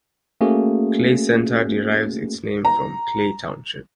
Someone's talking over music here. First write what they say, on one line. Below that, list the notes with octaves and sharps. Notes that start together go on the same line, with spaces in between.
Clay Center derives its name from Clay Township.
A3 A#3 C#4 F#4 G#4
A#5